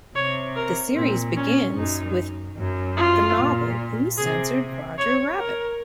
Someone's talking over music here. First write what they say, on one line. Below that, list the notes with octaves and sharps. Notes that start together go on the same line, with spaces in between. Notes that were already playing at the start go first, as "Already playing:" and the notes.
The series begins with the novel Who Censored Roger Rabbit?
C3 C#5
A#4
A#2 C4
C#4
F#2 D#4
F#2
F4
A#2
C3 G#4
C#5
A#4